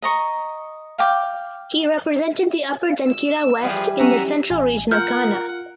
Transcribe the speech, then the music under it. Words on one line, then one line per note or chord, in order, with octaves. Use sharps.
He represented the Upper Denkyira West in the Central region of Ghana.
D#5 A#5 C#6
F5 G5 D6
E6
E3 F3 G3 G#4 B4
F#3 C#4 E5 F#5 A#5 D#7
A1 G#5
F4 A#4 F#5 F6 G6